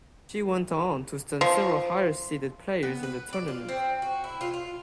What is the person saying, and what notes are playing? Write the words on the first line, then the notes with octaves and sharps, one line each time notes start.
She went on to stun several higher seeded players in the tournament.
F3
B3
B4
D5
F4
C4
F#4
E4
F4
F4